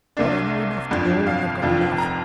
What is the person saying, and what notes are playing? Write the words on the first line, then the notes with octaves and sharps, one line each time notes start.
But I know enough to know when I've got enough.
C2 C3 A#3 D4 D5
G1 F2 F3 D4
F5
F1 F2 F3 D4
A#5